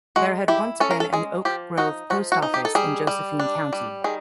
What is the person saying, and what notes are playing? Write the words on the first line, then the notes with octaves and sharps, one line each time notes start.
There had once been an Oak Grove post office in Josephine County.
G#3 F#4
E4 G4
C#4 A4
A#4
A4
G#3 G#4
F3 G4
D#4 F#4
F3 F#4
F#4
D#4
G4
A4
G3 G#4
G3
D4
G3
D#3 G#4